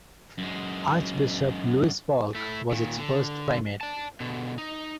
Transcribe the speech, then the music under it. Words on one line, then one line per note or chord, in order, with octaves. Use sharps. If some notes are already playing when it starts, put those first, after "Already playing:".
Archbishop Louis Falk was its first primate.
F#2 G#3
A3 E4
A#2 D#3
D3
D5 A5
B2 D3
D#4